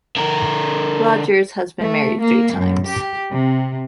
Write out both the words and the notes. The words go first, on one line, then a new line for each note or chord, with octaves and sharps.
Rogers has been married three times.
D3 A#4
A3
A#3
F#2
G4
C3